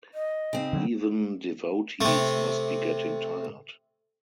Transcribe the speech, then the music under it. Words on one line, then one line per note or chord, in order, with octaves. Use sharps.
Even devotees must be getting tired.
D#5
C#3 C4 D#4
D3 F#3
C3 A3